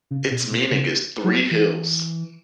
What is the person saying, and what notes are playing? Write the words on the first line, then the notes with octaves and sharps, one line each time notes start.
Its meaning is "Three Hills".
C#3
B2
B2
C#3
F#3
E3